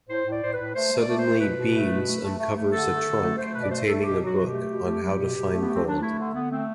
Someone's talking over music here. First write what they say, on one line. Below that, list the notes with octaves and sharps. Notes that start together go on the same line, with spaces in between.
Suddenly Beans uncovers a trunk containing a book on how to find gold.
A2 C5
A2
D5
A2 C5
B4
A2
A3 C5
A3
D5
A3
C5
A3
B2 B4
B2
A3
B2
A3
A3
A3
A3
D3 A4
A3
D3
A3
A3 C5
B2 B4
D5
A3 C5
A3 A4
A4
B2 G4
F#3
F#4
B2
G4
A3
B2
A3
F#3
B2
B2
A3
B3
A3
C4
F#3 D4
A3 E4
D3
D3 B3
A3 C4